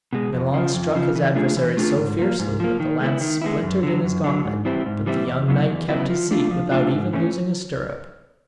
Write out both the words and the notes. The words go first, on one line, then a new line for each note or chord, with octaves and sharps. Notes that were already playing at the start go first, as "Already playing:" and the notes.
Milon struck his adversary so fiercely, that the lance splintered in his gauntlet; but the young knight kept his seat without even losing a stirrup.
B2 G#3
F2
C#3 F3
F2
C#3 F3
E3
A3 D4 F4 G#4
E3
A3 D4 F4 G#4
G#2
F3 A#3
G#2
F3 A#3
D#3
G#3 B3 E4
D#3
G#3 B3 E4
F#2
D3 F#3
F#2
D3 F#3
G#2
E3 G3 C4 E4
G#2
E3 G3 C4 E4
E2
C#3 F#3 B3 E4
E2
C#3 F#3 B3 E4
F3
A3 D4 F4
F3
A3 D4 F4
G#2
E3 A3 C#4